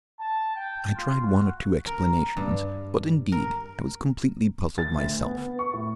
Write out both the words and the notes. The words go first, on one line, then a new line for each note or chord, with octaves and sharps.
I tried one or two explanations, but, indeed, I was completely puzzled myself.
A5
G5
F4
F#4
A#4
G2
A#4
A6
D2
B3
C#6
A2